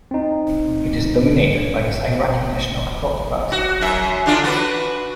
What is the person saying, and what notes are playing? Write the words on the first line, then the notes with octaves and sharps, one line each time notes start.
It is dominated by his Iraqi National Accord party.
C4 D#4
F#4
F#2 E5
D3 D4 F4
F#4 B4